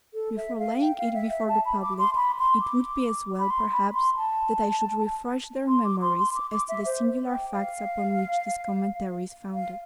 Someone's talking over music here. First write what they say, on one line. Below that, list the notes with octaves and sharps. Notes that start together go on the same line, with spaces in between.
Before laying it before the public it would be as well, perhaps, that I should refresh their memories as to the singular facts upon which this commentary is founded.
A4
E5
F5
G5
F5
E5
E5
A5
B5
D6
C6
B5
C6
D6
B5
C6
B5
C6
A5
C6
D6
C6
C6
D6
D6
E5
C5
G5
F5
F5